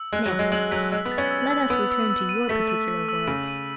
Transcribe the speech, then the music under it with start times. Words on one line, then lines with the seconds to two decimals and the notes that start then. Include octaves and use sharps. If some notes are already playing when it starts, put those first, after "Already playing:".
Now let us return to your particular world.
Already playing: E6
0.12 G#3 F#6
0.26 F#3
0.33 F#6
0.39 G#3
0.52 G#3 F#7
0.71 F#3 B6
0.92 G#3 E6
1.05 B3
1.12 A6
1.18 C#4
1.31 E6
1.50 E6
1.70 B3 E6
1.91 E6
2.10 E6
2.29 D#7
2.49 A3 B6
2.69 D#7
2.88 B6
3.08 E6
3.27 C#3 D#7
3.48 D#7